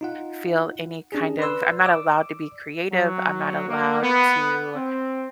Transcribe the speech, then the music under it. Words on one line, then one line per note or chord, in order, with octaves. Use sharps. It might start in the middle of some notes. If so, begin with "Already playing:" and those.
feel any kind of I'm not allowed to be creative, I'm not allowed to,
D#4 F4 F#5
C#4 D4 G4 G#4
B4 D5 C6 E6
D5 D6 E6
F#3
A#3
B3
C4